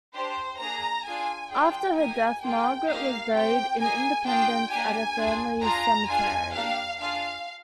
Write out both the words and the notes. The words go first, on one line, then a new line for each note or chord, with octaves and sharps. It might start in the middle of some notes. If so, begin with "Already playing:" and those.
After her death, Margaret was buried in Independence at her family's cemetery.
D4 G4 C5
A#3 D4 G#4 A#5
D4 F4 G#4 G#5
D4 F4 G#4 G5
A#3 D#4 G4 G#5
A#3 F4 G#4 G5
A#3 D#4 G4 F5
C4 G4 G5
A#3 D#4 G#4 G#5
D4 F4 G#4 G5
A#3 D4 G4 G#5
D4 F4 G#4
D4 F4 G#4 A#5
D4 F4 G#4 G#5
A#3 D4 G4 F5
D4 F4 G#4 F5